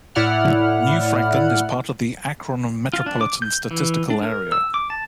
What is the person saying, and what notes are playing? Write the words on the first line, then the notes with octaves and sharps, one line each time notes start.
New Franklin is part of the Akron Metropolitan Statistical Area.
A2 E4 D5 F#5 F6
F4
D4
D6
G6
E3
D4
A#4
E6
D6
A5